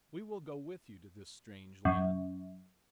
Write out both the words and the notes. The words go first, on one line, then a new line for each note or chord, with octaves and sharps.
"We will go with you to this strange land."
F#2